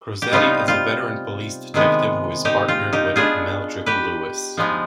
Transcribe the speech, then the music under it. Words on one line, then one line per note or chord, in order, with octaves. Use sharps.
Crosetti is a veteran police detective who is partnered with Meldrick Lewis.
G4
C3 G3 B3 D#4 F4
F4
C3 D#3 G#3 B3
D#4 G4
F4
D#4 G4
B2 B3 D4 F4 G#4
G4 B4
F3 G#3 B3 D#4